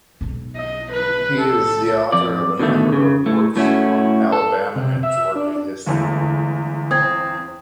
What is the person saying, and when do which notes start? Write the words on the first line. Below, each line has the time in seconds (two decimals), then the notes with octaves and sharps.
He is the author of a number of works on Alabama and Georgia history.
0.21 B1 D#4
0.56 D#5
0.92 B4
1.38 A4
2.12 F2 D5
2.59 B2 D3 D#3 A3
2.92 C#3
3.26 A2 A3
3.56 A2 A3 C#4 E4 F#4
4.32 A4
4.76 C3
5.03 E5
5.35 D4
5.86 G1 E2 D3 G#3 A3
6.91 C4 D#6 G#6